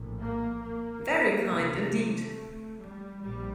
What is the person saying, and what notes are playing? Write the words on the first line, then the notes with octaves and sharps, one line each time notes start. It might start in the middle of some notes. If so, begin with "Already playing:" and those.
Very kind indeed.
Already playing: A#1 A2
A#3
A#3
D2 C3
A3
G3
A#1 G3